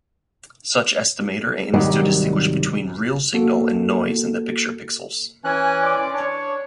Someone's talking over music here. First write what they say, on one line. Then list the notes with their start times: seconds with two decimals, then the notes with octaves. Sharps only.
Such estimator aims to distinguish between real signal and noise in the picture pixels.
1.74 C2 G#2 D#3 F#3 G3
3.33 A#3 F#4 A4
5.44 E3 C#4 G#5 F#6
5.81 D5 C6 D6
6.13 D4 C#5